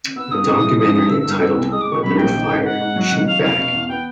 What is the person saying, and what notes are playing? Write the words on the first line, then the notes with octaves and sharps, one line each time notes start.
A documentary entitled When Under Fire: Shoot Back!
B3 E6
G2 D#6
G#3
E3
F3 D#6
A1 D#6
D3 E6
E6
G2
F6
B3 E6
C2
G#3 D#6
D6
B2 C#6
F#3 B5
A#1 G5
D#3
G#2
G#2 F#5
G#2
F#3
D#3
F#3 F5
F1 F5
B2
E2
B3 G5